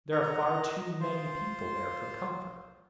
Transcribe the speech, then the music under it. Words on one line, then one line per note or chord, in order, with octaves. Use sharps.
There are far too many people there for comfort.
D#5 F#5 A#5
D#5
F4 C5